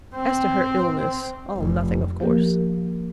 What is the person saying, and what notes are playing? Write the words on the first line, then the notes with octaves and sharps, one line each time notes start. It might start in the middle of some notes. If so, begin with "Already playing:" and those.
As to her illness, all nothing of course.
C4
F1
F3 A#3 G4 A#4